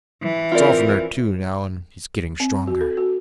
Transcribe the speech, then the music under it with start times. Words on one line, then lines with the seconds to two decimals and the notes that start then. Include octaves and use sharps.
It's oftener, too, now, and he's getting stronger.
0.22 E3
0.52 C4 F4 A#4 D5
2.40 C4
2.67 F#4
2.81 A4
2.97 F#4